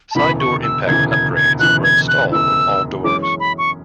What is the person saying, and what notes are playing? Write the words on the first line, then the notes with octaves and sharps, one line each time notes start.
Side door impact upgrades were installed in all doors.
A5
E1 D2 C#3 E3 B5
C#6
E6
E1 D2 C#3 E3 G#6
G#6
G#6
E1 D2 C#3 E3 F#6
G#6
F#6
E1 D2 C#3 E3 E6
F#2 E3 G#3 C#4 D6
C#6
B5
C#6